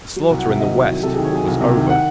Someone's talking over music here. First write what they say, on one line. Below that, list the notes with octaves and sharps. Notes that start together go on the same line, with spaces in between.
The slaughter in the West was over.
F#3
C2
F#5
C3 E5
D#3 D#5
F#3
C#5
C2
C3 A4
G#4
D#3
C#5
F#3 G#5
C2
C3
D#3
F#5